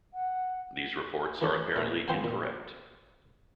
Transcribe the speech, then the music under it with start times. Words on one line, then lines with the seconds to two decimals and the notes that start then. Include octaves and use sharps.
These reports are apparently incorrect.
0.14 F#5
1.41 E3 A3 D4 A4
1.76 A#2 A3
2.08 F3 B3 C5 F5 G5 G#5
2.24 A#2